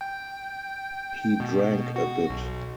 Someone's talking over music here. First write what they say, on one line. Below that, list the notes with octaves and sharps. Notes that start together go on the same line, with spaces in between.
He drank a bit.
G5
B2
F#4
B1